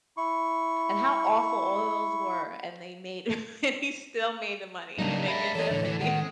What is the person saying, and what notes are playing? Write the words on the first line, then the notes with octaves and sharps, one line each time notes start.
And how awful all of those were, and they made, and he still made the money, and they ended up I think
E4 C#6
C#3 F#3 G3 A#3 D4 D#4
G#3 C#5 E5 B5
E2 A4 C#5 D#5
A2 D3 E3
D3 E3
D#3 G#3 F#5